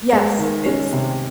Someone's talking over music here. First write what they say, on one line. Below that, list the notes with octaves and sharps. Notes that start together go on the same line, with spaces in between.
Yes, it's
G#3
D#3
C#4
C3